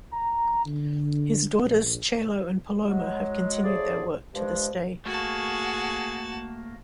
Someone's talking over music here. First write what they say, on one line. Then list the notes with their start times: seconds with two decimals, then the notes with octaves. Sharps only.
His daughters Chelo and Paloma have continued their work to this day.
0.13 A#5
0.65 D3
1.64 A#1
2.88 F#3 G#3
3.64 A2 F3 G#4 D5
4.35 G2 F3 G#3
5.06 A3 A#3 F#4 G#4 A5